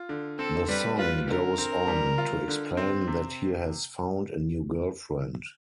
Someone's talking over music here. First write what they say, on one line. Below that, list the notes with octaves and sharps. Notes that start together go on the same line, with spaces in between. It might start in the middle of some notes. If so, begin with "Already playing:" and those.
The song goes on to explain that he has found a new girlfriend.
Already playing: F4
D3
C4 A4
G3 B4
F4 B4
D3 A#4
C4
G3
F4
D3
C4
C3